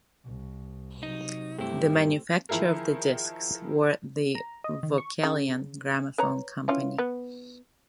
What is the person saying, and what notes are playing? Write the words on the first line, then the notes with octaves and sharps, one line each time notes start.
The manufacturer of the discs were the Vocalion Gramophone Company.
C2
C3 F#3 D#4
G2 A3 C4 E4 G4
D#3 F3 E4 G#4 A#4
A#5
D#5
D#3
C#6
C#3
B4 C#5 A#5
E3 C#4 F4
B3